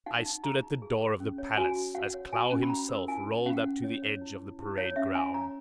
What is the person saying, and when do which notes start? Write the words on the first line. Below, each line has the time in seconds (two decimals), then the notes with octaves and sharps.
I stood at the door of the palace as Klow himself rolled up to the edge of the parade-ground.
0.06 D#4 F#5
0.26 D#4
0.44 G#4 A#5
0.63 D#4
0.82 G#4
1.01 G#4
1.20 C#4
1.38 C#5
1.57 F#4 G#5
1.76 F#4
1.95 F#4 F#5
2.14 C#5
2.33 F#4 G#5
2.51 C#4
2.63 B5
2.70 C#4 A#5
2.89 A#4
3.08 E4 G#5
3.27 C#4
3.46 C#4 F#5
3.65 C#4
3.84 C#5
4.02 C#5
4.21 E4
4.40 E4
4.59 E4
4.78 B4 C#5
4.96 C#4 E5
5.15 C#4 G#5
5.34 C#5 A#5